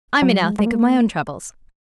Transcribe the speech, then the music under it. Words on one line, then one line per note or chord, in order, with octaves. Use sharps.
I may now think of my own troubles.
F#3
G#3
G#3
A#3